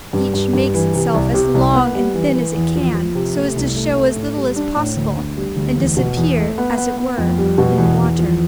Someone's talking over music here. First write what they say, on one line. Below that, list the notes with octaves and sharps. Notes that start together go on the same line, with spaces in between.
Each makes itself as long and thin as it can, so as to show as little as possible, and disappear, as it were, in the water.
G2
G2
G2
E3
C3
C2
C3
C2
B3
G3
E3
E3
E2
F3
F3
C3
A3
C2
A3
A3
A2
G3
D4
A2
D2
D3
G3
D2
E2
B2
E2
A3
B3
B3
B3
F2
G3
B2
E2
E2
F3